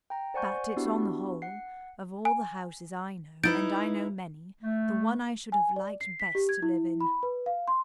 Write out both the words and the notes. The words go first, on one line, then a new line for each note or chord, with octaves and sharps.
But it's on the whole, of all the houses I know, and I know many, the one I should have liked best to live in.
G5 A#5
C5 D5 F#5 G#5 C#6 G6
B3 D4 E4 F#4 G4
F#5 C7
G#5
D#4 E4 B4 G6 A6 D7
A3
G#5
D5
C7
B6
G4
G#6
E4
B5
B4
F5
C6